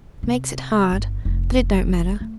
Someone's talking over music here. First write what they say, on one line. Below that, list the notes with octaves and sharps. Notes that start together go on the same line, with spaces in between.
Makes it hard; but it don't matter.'
C3
G1
F1
A3